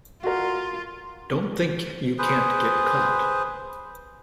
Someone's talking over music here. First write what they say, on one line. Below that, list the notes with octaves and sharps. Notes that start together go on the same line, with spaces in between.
Don't think you can't get caught.
F4 F#4 A#4
G#4 B4 C5